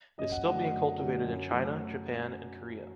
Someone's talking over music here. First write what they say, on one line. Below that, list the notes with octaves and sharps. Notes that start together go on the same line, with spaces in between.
It is still being cultivated in China, Japan and Korea.
F#2 D#5
F#5
D3 F#3 A3 F#5
F#5
F#2
D3 F#3 A3
F#2
F#3 A3